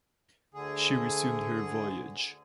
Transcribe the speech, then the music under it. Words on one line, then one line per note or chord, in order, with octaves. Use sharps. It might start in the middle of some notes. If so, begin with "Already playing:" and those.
She resumed her voyage.
D2 D3 G#4